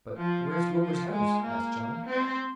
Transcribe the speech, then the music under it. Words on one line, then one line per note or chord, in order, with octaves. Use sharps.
"But where's Wilbur's house?" asked John.
F3
F3
F3
G#3
A#3
C4